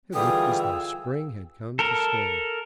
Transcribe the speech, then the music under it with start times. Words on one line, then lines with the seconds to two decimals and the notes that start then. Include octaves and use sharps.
It looked as though spring had come to stay.
0.14 D3 E3 G3 F4 G#4 G5 D#6
0.57 E6
1.79 A4 A#4